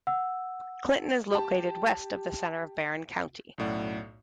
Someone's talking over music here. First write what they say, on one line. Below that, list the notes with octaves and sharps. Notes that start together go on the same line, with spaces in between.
Clinton is located west of the center of Barron County.
F#5 E6
G4 A5
B1 F#2 A2 D5 F#5